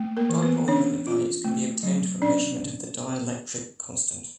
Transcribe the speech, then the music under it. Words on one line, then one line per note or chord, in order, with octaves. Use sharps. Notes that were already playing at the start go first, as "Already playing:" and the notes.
Dipole moment values can be obtained from measurement of the dielectric constant.
Already playing: A3
A#3 A#4
E3
B3 B4
C#4 D4 C#5
F4
A3
F#3
C#4 D4 D5